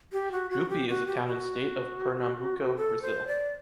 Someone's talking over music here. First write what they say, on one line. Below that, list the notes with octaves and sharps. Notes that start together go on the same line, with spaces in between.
Jupi is a town in State of Pernambuco, Brazil.
G4
F#4
F#4
G4
F#4
G4
F#4
A4
C5
D5